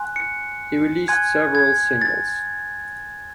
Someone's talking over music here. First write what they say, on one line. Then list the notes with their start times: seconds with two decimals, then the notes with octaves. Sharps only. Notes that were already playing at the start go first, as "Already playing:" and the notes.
He released several singles.
Already playing: G#5 C6 F#6
0.16 C#7
1.08 G#5 C6 F#6 G#6
1.55 G#6
2.02 A6